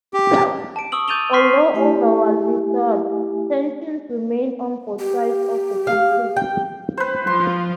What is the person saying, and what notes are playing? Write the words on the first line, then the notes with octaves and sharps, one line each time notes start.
Although order was restored, tensions remained on both sides of the conflict.
G4
A5 D7
C#6 D#6 E6 F#7
D6 G6 A6 D#7 F7 G7
C6 C#6 F6 B6 C7
A3 E4 G4 G#5
G4
F5
G5
B4 C5
F3 F4 C6